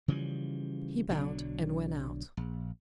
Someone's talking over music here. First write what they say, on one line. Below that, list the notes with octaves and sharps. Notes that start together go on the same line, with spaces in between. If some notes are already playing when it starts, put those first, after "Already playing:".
He bowed and went out.
C#3 E3 F3 G3
B1 D3 F#3 D4
A#1